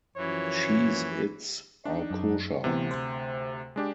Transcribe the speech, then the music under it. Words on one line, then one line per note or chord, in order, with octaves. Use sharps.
Cheez-Its are kosher.
F#2 E3 F3 C#5
D4 D#4
F#2
D2 C3 E3 B3
C5
G#3 D4 G4